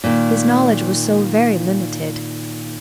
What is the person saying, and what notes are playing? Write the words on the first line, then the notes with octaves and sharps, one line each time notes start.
His knowledge was so very limited.
A#2 D#3